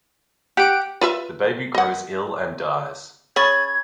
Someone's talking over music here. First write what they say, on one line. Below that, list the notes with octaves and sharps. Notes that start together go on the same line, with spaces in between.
The baby grows ill and dies.
G4 F#5 D7
F4 B4 E5
D#5 F#5
C#4 G#4 B5 C#6 G#6 A6